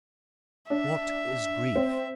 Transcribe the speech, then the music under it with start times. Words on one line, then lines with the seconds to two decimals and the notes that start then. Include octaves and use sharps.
What is grief?
0.70 D4 E5
1.75 C4